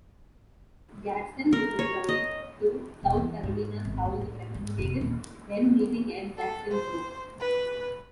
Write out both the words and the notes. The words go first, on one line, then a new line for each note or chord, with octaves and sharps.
Gadsden was returned to South Carolina's House of Representatives, then meeting at Jacksonboro.
A#4
C#5
D#5
E1
E3
G#2
G#1
A2
A2
G#2
F1
D#1
A4
C5
B4